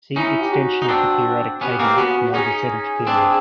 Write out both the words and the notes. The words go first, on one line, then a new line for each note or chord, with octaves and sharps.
See Extension of the periodic table beyond the seventh period.
C#4 D#4 E4
G4
F#4
D#4
C4 D4
B3 C#4 G4
A#3 C4
B3 C#4 F#4
C#4 D#4 G#4
G#4
C4 D4